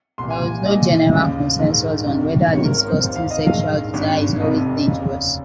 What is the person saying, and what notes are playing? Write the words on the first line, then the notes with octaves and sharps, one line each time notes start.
There was no general consensus on whether disgusting sexual desire is always dangerous.
C2 A#2 C6
G#5
A#1 A#2 D#5
D#2 C#3
A#1 G#2 D#3
C2 C3 D#3
G#1 G#2 D#3 C#5
A#4
A#4
C5
F1 D#2 D#3
F5
D#5
A#1 G#2 D#3 F5
G#1 G2 D#3
F1 F2 C3 D#5
F1 D#2 C#3